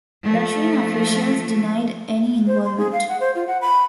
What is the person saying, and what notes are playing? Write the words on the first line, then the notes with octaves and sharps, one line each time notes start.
Russian officials denied any involvement.
F3 A3
C5
C6
G#4
F5
F#5
C5
F4
F#5
B5